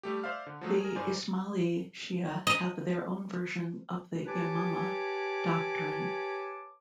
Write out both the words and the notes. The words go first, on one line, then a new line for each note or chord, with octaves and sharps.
The Ismaili Shia have their own version of the Imamah doctrine.
G3 A3 G4
C5 D5 E5 F5 F6
D3
F3 F#3 A3
G#4 A#4
G2 D#4 C5 D5 G#5
D#5
G4 B4 C#5 G#5 A5 D6